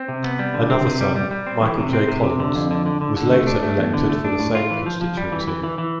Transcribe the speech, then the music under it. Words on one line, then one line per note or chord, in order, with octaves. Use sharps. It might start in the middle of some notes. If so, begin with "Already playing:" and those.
Another son, Michael J. Collins was later elected for the same constituency.
Already playing: C4
C3
B3
G3
D3
C4
C3
G3
G3
G3
C4
E3
C3
C4
C3
C3
D3
F2
D3
D3
D3
D3
A3
D4
A3
E2
D3
A3
D4
A2
F4
E3
F3
F3
G3
E3
E3
E3
E3